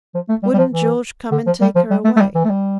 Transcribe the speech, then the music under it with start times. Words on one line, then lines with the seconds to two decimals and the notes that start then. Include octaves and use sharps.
Wouldn't George come and take her away.
0.15 F3
0.29 A3
0.43 G3
0.54 G3
0.58 F3
0.72 E3
1.32 D3
1.47 F3
1.61 G3
1.75 F3
1.91 G3
2.05 A3
2.16 A3
2.21 G3
2.35 E3
2.45 A3
2.50 G3